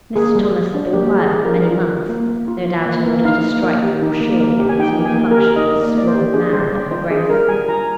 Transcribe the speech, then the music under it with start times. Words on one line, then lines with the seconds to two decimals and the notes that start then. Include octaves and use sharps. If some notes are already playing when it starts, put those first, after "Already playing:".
Mr. Thomas had been quiet for many months, no doubt in order to strike the more surely in his new function as "sworn man" of her Grace.
0.16 A#3 G#4
0.35 G3
0.55 G3
0.74 D4
0.93 A#3 G4
1.12 G3
1.19 G#4
1.32 G3
1.45 A#4
1.51 D4
1.71 F4
1.90 F4
2.09 A#3
2.29 A#3
2.48 F4
2.66 F4
2.86 A#3
3.06 A#3
3.25 D#4 F5
3.44 A#3
3.63 A#3
3.83 G4
4.02 D#4
4.21 A#3
4.40 A#3
4.60 G4
4.69 G#5
4.79 D#4 G5
4.99 A#3
5.05 G#5
5.18 A#3
5.31 A#4
5.37 G4
5.56 D#4 D#5
5.76 A#3
5.82 D5
5.95 A#3 D5
6.07 C5
6.15 G4
6.33 D4 G#4
6.53 G3 C5
6.72 G3 D5
6.91 F4 C5
7.11 D4 G#4
7.30 G3 A#4
7.49 G3 G#5
7.69 F4 A#5